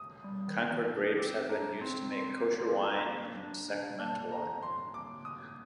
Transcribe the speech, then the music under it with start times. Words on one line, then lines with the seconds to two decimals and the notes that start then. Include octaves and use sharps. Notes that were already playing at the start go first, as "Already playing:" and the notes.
Concord grapes have been used to make Kosher wine and sacramental wine.
Already playing: D#6
0.24 G3
0.48 D#3
0.72 F3
0.95 D4
1.18 C4 D6
1.49 D4 A#5
1.81 C4 C6
2.12 C6
2.36 D6
2.59 C6
2.82 A#5
2.92 C6
3.01 A#3 A#5
3.37 D4
3.69 D4
4.00 A#3 A5
4.32 A#5
4.62 C6
4.94 D6
5.25 D#6